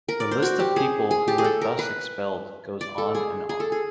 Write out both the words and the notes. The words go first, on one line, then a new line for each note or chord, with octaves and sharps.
The list of people who were thus expelled goes on and on.
A#4
D5
C5
F#4
G4
G#4
G#4
G4
G#4
A4
A#4
B4
D5
A4
G#4
G#4
A4
G#4